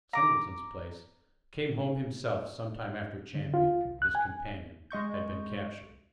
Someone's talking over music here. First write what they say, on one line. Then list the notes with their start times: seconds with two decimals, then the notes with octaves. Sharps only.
Singleton's place, came home himself sometime after Champion, his companion, had been captured.
0.13 A#5 D6
3.35 D3
3.54 F4
3.85 C2
4.02 F#6
4.15 G#5
4.90 G#3 D#5 C#6 G6